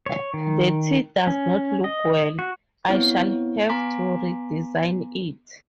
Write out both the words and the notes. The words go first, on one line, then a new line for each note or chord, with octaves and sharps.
The t does not look well. I shall have to redesign it.
C#5
D#3
C#4
D#5
F#4
B3 C4 E4 C#5
B3 G#5 A#5 C6 D6 B6